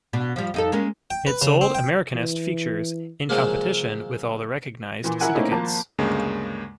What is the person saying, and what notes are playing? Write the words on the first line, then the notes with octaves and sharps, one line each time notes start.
It sold "Americanist" features, in competition with all the recognized syndicates.
B2 D4
F3 G3
F2 D#4 A4
G#3 A#3 C#4
G5
B4
C#3
C4
G5
E3
C#3 F3 F#3 G#3 A#3
A#2 E3
E4 A#4 F#5 G#5
A3 A#3 C4 C#4 D#4 E4
G#1 F3 A#3 A5
D2 G2 C#3 G#3 A#3